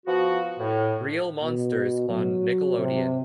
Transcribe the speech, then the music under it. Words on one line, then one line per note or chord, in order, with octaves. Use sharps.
Real Monsters on Nickelodeon.
F3 B3 F#4
A2
B2
F#3
C3